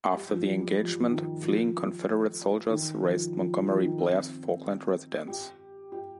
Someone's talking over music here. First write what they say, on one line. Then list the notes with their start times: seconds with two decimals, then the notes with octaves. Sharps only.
After the engagement, fleeing Confederate soldiers razed Montgomery Blair's Falkland residence.
0.13 G3
0.29 F3
0.45 F3
0.61 G3
0.77 F3
0.85 G3
0.92 F3
1.09 D#3
1.41 F3
2.70 D#3
3.03 F3
3.34 F3
3.67 F3
3.82 D#3
3.99 C4
5.28 G4
5.92 G4